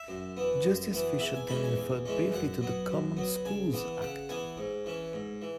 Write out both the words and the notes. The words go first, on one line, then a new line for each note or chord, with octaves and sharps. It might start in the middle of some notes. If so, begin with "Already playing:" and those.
Justice Fisher then referred briefly to the "Common Schools Act".
Already playing: E5
F#2
E3 B3
F#2
E3 B3
E2 E5
G#5
E3 G#3 C#4 B5
G#5
E2
E3 G#3 C#4
F#2 F#5
F#3 B3
F#2
F#3 B3
C#3 G#5
E3 B3
C#3 F#5
E3 B3 G#5
G#2
E3 C#4
G#2
E3